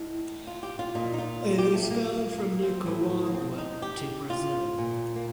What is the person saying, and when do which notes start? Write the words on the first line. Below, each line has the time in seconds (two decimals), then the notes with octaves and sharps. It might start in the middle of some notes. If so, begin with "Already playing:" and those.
It is found from Nicaragua to Brazil.
Already playing: A2 D#4
0.47 F4
0.63 G4
0.79 F4
0.95 A#2 D#4
1.13 D#4
1.18 F4
1.58 G4
1.74 A3
1.90 A#3
2.38 A#3
2.62 C4
2.86 A2
3.26 A#3
3.34 C4
3.58 D#4
3.82 G4
4.30 F4
4.78 A#2
5.16 A#3